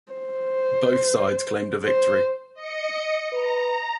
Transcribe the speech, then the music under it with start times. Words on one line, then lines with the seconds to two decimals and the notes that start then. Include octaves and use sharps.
Both sides claimed a victory.
0.12 C5
1.85 C5
2.54 D#5 C#7
3.33 B4 A#5